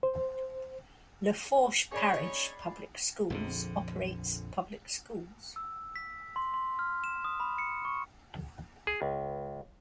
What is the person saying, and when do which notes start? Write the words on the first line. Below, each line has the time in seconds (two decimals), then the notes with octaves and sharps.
Lafourche Parish Public Schools operates public schools.
0.03 C5
1.92 C#4 D#4 G#4 C#5 D5 B5
3.30 A#1 F2 D3
5.56 E6
5.96 B6
6.36 C6
6.54 C6
6.79 F6
7.04 E7
7.24 D#6
7.40 B5
7.58 C#7
7.85 C#6
8.87 G#4
9.02 C#2